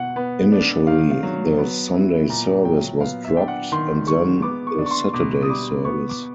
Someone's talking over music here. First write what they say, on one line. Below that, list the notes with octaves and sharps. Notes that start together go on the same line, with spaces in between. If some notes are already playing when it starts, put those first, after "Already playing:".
Initially, the Sunday service was dropped, and then the Saturday service.
Already playing: B2 F#5
B3
D4
D#3 F5
F5
F#3
B3
E4
A#2 A#5
F#3 G5
B3 F5
E5
D4 G5
F#5
D#3 C6
G#3 C#6
B3 D6
C#6
D4
C#6
C6
B2 D6
D#6
G3 D6
B3 C#6
D6